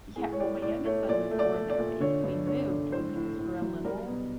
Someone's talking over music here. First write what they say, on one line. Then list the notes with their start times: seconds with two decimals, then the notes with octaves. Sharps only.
yeah well, my youngest son was born there, but h we moved when he was real little.
0.16 A2 G#4
0.32 C#5
0.39 A2 D5
0.62 A2 D5
0.85 A3 C#5
1.08 A#2 D5
1.31 A3
1.39 D5
1.54 A3
1.70 D5
1.78 A#2
2.00 D3 C#5
2.23 G2
2.46 D3 C#5
2.69 D3
2.92 A2 C5
3.15 A2
3.38 A2
3.62 F#3
3.84 G3 A#4
4.07 B2